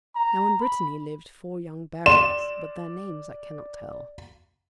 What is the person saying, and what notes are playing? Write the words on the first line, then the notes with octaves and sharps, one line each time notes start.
Now in Brittany lived four young barons, but their names I cannot tell.
A#5
B5
D5 C6 E7